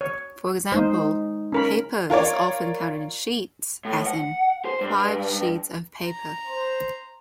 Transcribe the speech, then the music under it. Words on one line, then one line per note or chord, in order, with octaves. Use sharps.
For example, "paper" is often counted in "sheets" as in "five sheets of paper".
C#5
G#3 D#4 C5
C#4 A#4 B5
F4 A#4 C#5 D5
A2
F#5
C5
G2
A#5
C5